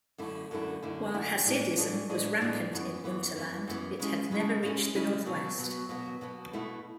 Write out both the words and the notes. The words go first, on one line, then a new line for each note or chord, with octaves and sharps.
While hasidism was rampant in Unterland, it had never reached the northwest.
F#2 D3 A3 E4
F#2 D3 A3 E4
F#2 D3 A3 E4
F#2 D3 A3 E4
A2 E3 G#3 D4 G#4
A2 E3 G#3 D4 G#4
A2 E3 G#3 D4 G#4
A2 E3 G#3 D4 G#4
F#2 E3 B3
F#2 E3 B3
F#2 E3 B3
F#2 E3 B3
C#3 G#3 C#4 E4 G#4
C#3 G#3 C#4 E4 G#4
C#3 G#3 C#4 E4 G#4
C#3 G#3 C#4 E4 G#4
B2 F#3 B3
B2 F#3 B3
B2 F#3 B3
B2 F#3 B3
B2 A3 E4 B4